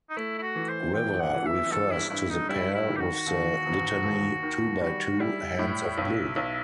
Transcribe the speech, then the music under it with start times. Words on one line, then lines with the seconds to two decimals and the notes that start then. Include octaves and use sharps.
River refers to the pair with the litany "two by two, hands of blue".
0.10 D#4
0.17 A3 E4
0.38 E4
0.42 F#4
0.56 E3
0.69 C5
0.94 A1 G5
1.20 F#5
1.33 E3
1.46 E5
1.72 G2 A4
1.91 E4
2.10 G2 E4
2.30 D#4
2.49 G3 E4
2.75 E4
2.88 D#3
2.96 G4
3.00 F#4
3.27 D#2
3.65 E1
4.04 D#2
4.43 D#3
4.81 G3 F#4
5.20 G3 E4
5.59 A2
5.98 B1
6.36 B1